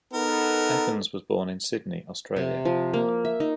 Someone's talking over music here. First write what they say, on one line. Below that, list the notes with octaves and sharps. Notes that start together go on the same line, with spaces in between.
Evans was born in Sydney, Australia.
B3 D#4 A4 A#4
C3
F3
A#3
E5
D#4